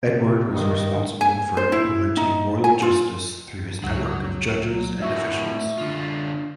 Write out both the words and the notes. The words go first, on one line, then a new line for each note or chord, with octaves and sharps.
Edward was responsible for implementing royal justice through his network of judges and officials.
C3
G2 D#3
G#5
C5
E4
D#4
G#5
F4
C#2 F#3 F#5
A2 F#4 E5 C#6
D3 F4